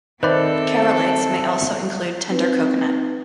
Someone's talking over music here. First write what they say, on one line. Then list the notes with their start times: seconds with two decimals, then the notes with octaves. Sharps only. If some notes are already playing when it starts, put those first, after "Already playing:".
Keralites may also include tender coconut.
0.23 D#3 C4 A4 B4 C5 D5 E5 B5
2.27 C4 D#4 B4